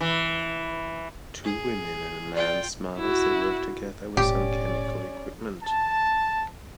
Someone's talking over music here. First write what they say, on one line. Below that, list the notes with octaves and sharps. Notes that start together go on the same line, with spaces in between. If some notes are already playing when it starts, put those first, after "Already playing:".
Two women and a man smile as they work together with some chemical equipment.
E3
G#4
F4 D5 G5
E4 F#4
E1 A2 C#4 G4 D5
A5